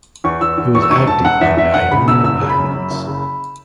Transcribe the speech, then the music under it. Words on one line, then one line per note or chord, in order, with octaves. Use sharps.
He was active on the Ionian islands.
E2 C#6
E2 E6
E2
E2 C#6
E6
E1 C#6
E1 A5
E1 F#5
E2 E5
E2 E5
E1 F#5
C#3 B5
E1 E6
F#1 E6
C#3
B5
F#2
F#2
F#1
C#3